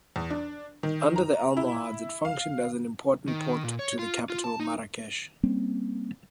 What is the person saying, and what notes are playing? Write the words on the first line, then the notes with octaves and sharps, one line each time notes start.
Under the Almohads it functioned as an important port to the capital Marrakesh.
E2
D4
D#3
A#5
E4
F5
D#3
A#2
C#5
F4
F4
A5
D#4
G3 A#3 C4 C#4